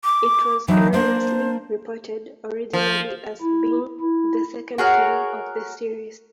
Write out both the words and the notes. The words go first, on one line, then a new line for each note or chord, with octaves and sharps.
It was erroneously reported originally as being the second film of the series.
D6
D3 E3 F#3 D#4
A#3 D4 C5
F3
E4
E4
F#4 G#4 A#4 C#5